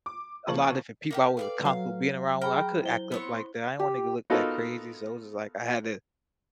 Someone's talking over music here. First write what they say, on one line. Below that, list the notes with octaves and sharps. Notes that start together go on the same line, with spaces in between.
a lot of different people I wasn't comfortable being around with, I couldn't act up like that, I didn't wanna go look that crazy, so, it was just like, I had to
D6
C#3 F3 A#3 A5 C#6 F#7
A#3 D#4 G4
A4 B4 D5 D#5 F5
F#3 F5
G#4 G5 A#5 B5 F6
E4 C5 G7
B3 C4 C#5
G4
B3 D#4 F4 F#4 A4 A#4